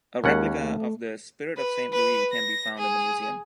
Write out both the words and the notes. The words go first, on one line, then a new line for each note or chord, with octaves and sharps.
A replica of the "Spirit of Saint Louis" can be found in the museum.
D#2 G#3 C#4 A#4 F#5
A3
B4
B4
A#6
G#4